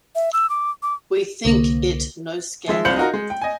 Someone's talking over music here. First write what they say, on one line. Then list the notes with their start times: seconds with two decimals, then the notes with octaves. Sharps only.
We think it no scandal.
0.15 E5
0.33 E6
0.49 D6
0.83 D6
1.45 C2 D3 A#3
2.68 F3 G#3 E5
2.85 C2 F4 C5 G6 C#7 F#7
2.96 D#4 F4 F#4 A#4
3.14 G#3
3.30 G5
3.42 D#5 G#5